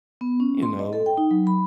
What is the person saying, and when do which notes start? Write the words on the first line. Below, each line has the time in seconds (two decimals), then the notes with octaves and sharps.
you know,
0.21 B3
0.40 C#4
0.63 C6
0.79 D#5
0.93 A4
1.06 G5
1.18 D#4
1.31 F#3
1.47 B5